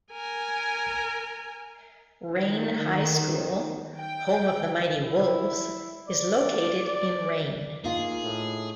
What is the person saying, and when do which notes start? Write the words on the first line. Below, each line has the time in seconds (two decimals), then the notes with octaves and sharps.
Rayne High School, home of the Mighty Wolves, is located in Rayne.
0.11 A#4 G#5
2.33 D#3
3.99 G5
5.04 E4
6.08 D5
6.85 D5
7.84 A#3 D#4 F4 G#4
8.22 A2